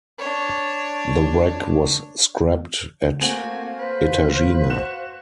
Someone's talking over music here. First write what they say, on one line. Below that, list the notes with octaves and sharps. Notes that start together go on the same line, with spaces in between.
The wreck was scrapped at Etajima.
D4 C#5
A3 A#3 C4 F#4 F5 G#5
B4 C5
F#4 F#6 E7